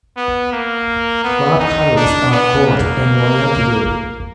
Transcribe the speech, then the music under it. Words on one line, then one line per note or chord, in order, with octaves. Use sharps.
Club colours are gold and royal blue.
B3
A#3
B3
D#4
D4
B3
A#3